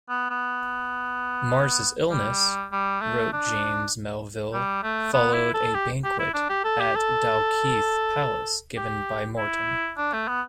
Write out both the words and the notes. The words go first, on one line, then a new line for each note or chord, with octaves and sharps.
Mar's illness, wrote James Melville, followed a banquet at Dalkeith Palace given by Morton.
B3
B3
G3
G3
A3
D4
G3
A3
B3
E4
A4
G4
G4
E4
D4
G4
A4
G4
A4
G4
E4
D4
A3
B3